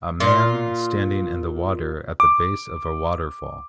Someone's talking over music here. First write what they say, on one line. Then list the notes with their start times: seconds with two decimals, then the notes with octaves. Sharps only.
A man standing in the water at the base of a waterfall.
0.20 A#2 F4
2.20 D6